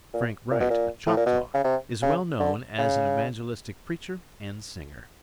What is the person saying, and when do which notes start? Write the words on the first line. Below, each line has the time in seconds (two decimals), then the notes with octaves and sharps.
Frank Wright, a Choctaw, is well known as an evangelistic preacher and singer.
0.14 A#2
0.51 A#2
0.61 B2
0.70 A#2
1.07 A2
1.17 A#2
1.26 B2
1.54 C#3
1.64 C3
2.02 C#3
2.40 D3
2.78 C#3